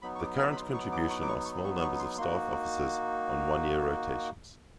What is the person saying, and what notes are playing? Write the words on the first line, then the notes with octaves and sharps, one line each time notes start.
The current contribution are small numbers of staff officers on one-year rotations.
F#3 B3 D#4 B5
C#6
D6
C#6
B5
C6
C#6
D6
C#6
D6
C#6
C#6
C#6
C#6
C6
A#3 D#4 F#4 C6